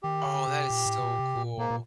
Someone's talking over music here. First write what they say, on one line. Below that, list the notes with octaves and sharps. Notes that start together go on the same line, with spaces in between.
Oh, that is so cool.
D#3 G4
D3
C3
A#2
A2
C3
A#2
C3
A#2
A#2 A#3
A#2